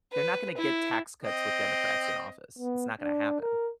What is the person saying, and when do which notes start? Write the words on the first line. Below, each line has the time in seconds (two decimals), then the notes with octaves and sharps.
They're not gonna get tax cuts with Democrats in office. It's not gonna happen.
0.13 B4
0.57 E4
1.23 C4 D#5
2.58 B3
3.01 D4
3.41 A#4